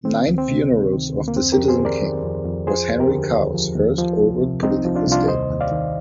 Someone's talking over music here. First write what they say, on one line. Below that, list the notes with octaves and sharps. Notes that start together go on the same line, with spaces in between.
"Nine Funerals of the Citizen King" was Henry Cow's first overt political statement.
D#3 C4
D2
C4
C3
D2
D#3
D2
A#3
F2 C4
G4 A#4
F2
G#4 C5
D#3
A#4 D5
D#3
F2
F2
F3 G#4 C5
D#2
G4 A#4
D3
D#2
F3
D#2
F3
C2
C3
C2 C4 D#4
F3
D4 F4
C2 D4 F4
D#2 C5 D#5
D#2
D5 F5
D#3